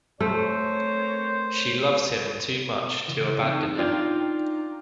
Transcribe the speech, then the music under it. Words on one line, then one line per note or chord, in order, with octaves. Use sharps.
She loves him too much to abandon him.
A3 C4 A#4 C5 C#5
C#3 E3
F3 C4 D#4
D4 D#4 F4 G5